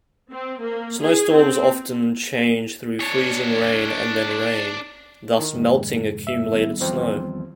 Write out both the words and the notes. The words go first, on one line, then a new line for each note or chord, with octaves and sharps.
Snowstorms often change through freezing rain and then rain, thus melting accumulated snow.
C4
A#3
G#4
C4
D4 C#5
D#3
F1 G#2
E5
D#3 G3 B3
E2 F3 C4